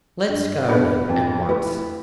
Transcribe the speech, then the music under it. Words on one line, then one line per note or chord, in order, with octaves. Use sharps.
"Let's go then, at once."
G2
B3 D4 G4 B4
F2
A3 E4 G4 B4